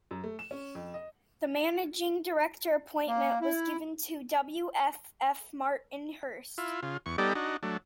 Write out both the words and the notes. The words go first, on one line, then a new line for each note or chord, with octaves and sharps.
The managing director appointment was given to W F F Martin-Hurst.
F#2
A3
E7
C#4
F2
D#5
A#3
E4
E4 F4
C#3 F4
E2 C#6
G3 B3 D#4 G4 A4 D5
D4 D#4 F#4
F#3 A3 D4